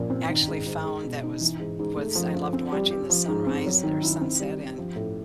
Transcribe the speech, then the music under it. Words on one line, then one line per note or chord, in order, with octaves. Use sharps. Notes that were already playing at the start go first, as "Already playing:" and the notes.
actually found that was was I loved watching the sunrise or sunset in
Already playing: A#2 F3
C4
D#3
G#2
G#2
G#3
B2
D#4
E3
G#2
G#2
A3
F3
F3
C4
G3
G4
F3
G#2
C4
F#3
D#3
E4
C4
G3
G4
F3
A2